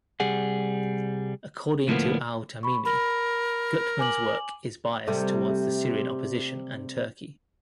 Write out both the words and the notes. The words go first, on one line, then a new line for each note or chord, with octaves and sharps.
According to Al-Tamimi, Gutman's work is biased towards the Syrian opposition and Turkey.
C2 G3 G#4 F#5
D2 A2 F3 A#3 B3
B5 C#6
A#4 B5
G#5 D6 F#7
C3 G3 A3